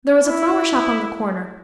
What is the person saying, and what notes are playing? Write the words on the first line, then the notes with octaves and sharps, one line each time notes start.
There was a flower shop on the corner.
E4